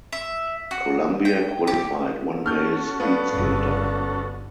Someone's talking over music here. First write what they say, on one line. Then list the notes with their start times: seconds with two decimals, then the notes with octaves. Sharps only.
Colombia qualified one male speed skater.
0.12 E5
0.71 F#4
1.25 G5
1.67 G4
2.46 C#4 F#4 A4 F6 G6
3.00 B3 D4 F5
3.33 G1 D3